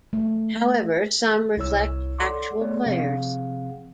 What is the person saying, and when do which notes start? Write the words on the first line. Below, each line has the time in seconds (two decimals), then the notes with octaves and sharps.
However, some reflect actual players.
0.13 A3
1.57 C2 E4 C#5 E6
2.19 A4 C#5 D5 F#5 C6 D6
2.61 A3 B3 G#4 C#5 D5
2.86 C3 F3 C4 G#4 F5 F#5